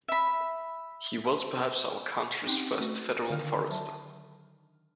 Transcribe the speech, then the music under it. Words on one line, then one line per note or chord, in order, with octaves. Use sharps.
He was perhaps our country's first federal forester.
E5 B5
C4 C#4 D#4 G4 F#5 C6
A3 F#4
D3 D#3 F6
F#3 E5 A5